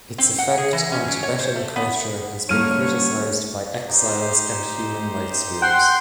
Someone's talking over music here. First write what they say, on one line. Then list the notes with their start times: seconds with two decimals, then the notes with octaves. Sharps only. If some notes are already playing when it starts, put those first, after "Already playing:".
Its effect on Tibetan culture has been criticized by exiles and human rights groups.
0.18 C4
0.38 F#5
0.58 G#4
0.73 E3
0.92 C#4
1.08 F#3
1.23 C#5
1.39 C5
1.56 A3
1.76 B3
2.49 D3 G3 A#3 C#4 C#5 F6 D#7
3.86 D#4 G4 C5
5.62 F#5 G5 C6